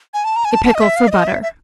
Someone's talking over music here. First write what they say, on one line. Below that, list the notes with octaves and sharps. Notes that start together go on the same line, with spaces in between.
A Pickle for Butter.
G#5
A5
A#5
G#5
A5
A5
D#5
E5
F5
D5
D#5
E5
E5